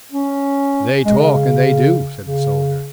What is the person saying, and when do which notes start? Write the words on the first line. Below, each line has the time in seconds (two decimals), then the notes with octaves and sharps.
"They talk--and they do," said the soldier.
0.12 C#4
1.05 G#3
1.18 C#3
2.26 C#3